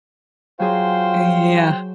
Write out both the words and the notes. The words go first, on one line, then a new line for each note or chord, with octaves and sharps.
Uh, yeah.
F#3 F4 G#4 C5 G5